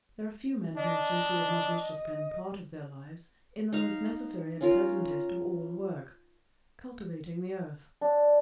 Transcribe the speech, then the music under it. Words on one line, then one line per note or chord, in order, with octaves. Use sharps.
There are few men, for instance, who would not wish to spend part of their lives in the most necessary and pleasantest of all work--cultivating the earth.
D4 D#5
D#4 F5
C#4 F4 A#4
D4